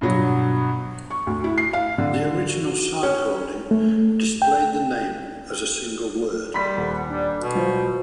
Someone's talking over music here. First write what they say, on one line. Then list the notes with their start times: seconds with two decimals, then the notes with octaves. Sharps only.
The original site hoarding displayed the name as a single word.
0.01 G2 B2 F#3
1.10 C#6
1.27 D2
1.44 E4
1.58 C7
1.73 F5
1.98 D3
2.48 F#4
3.03 C#4
3.71 A3
4.42 G5
6.54 G3 A#4 B5 C6 B6
6.77 D#1 F#5
7.09 G3 D4
7.39 B2
7.55 F#3 F4 F#4 C5